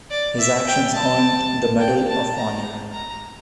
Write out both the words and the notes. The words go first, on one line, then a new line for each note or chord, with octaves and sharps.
His actions earned the Medal of Honor.
D5
E5
G5
A5
G5
A5
A#5
A#5